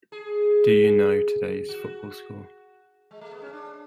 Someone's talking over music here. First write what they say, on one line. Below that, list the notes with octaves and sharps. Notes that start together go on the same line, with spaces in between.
Do you know today's football score?
G#4
F#4
G#3
A3
B3
C#4
D4